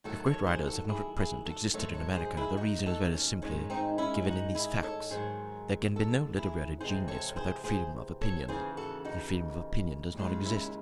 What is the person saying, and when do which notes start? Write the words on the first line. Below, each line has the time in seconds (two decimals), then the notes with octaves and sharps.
If great writers have not at present existed in America, the reason is very simply given in these facts; there can be no literary genius without freedom of opinion, and freedom of opinion does not exist in America.
0.04 D#2 D#3 F#3 A3 F#4 A4
0.26 A4 C#5
0.47 G#4 C5
0.67 F#4 A4
0.89 E4 G#4
1.17 E4 G#4
1.45 F#4 A4
1.73 G#2 D#3 F#3 A3 A4 C#5
1.94 A4 C#5
2.15 G#4 C5
2.37 E4 G#4
2.57 D#4 F#4
2.86 F#4 A4
3.14 C#4
3.42 G#2 D#3 G#3 C#4
3.70 C4 D#4
3.98 C#4 E4
4.27 D#4 F#4
4.55 E4 G#4
4.83 A4 C#5
5.11 G#2 D#3 F#3 G#4 C5
5.96 F#4 A4
6.38 E4 G#4
6.80 E2 C3 E3 G#3 G#4 C5
7.08 A4 C#5
7.36 G#4 C5
7.64 G#4 C5
8.21 A4 C#5
8.48 D#2 C#3 E3 G#4 C5
8.77 F#4 A4
9.05 D#4 F#4
10.17 D#2 C#3 G#3
10.45 C#4 E4